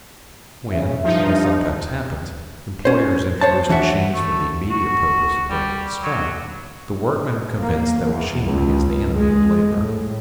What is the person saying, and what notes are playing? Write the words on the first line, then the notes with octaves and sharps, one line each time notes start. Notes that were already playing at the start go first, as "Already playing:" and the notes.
When, as sometimes happens, employers introduce machines for the immediate purpose of breaking a strike, the workmen are convinced that machinery is the enemy of labor.
C#3 E5
G2 F3 D#4
C#4 C5
C5 C#5 A5
E3 D4 F#4 E5
A3
F#4
G3
F#3
A#3
E2
C#2
G#3
A2